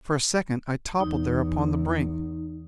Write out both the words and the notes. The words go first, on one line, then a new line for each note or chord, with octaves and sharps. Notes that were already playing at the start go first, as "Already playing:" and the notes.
For a second I toppled there upon the brink.
E2 D#4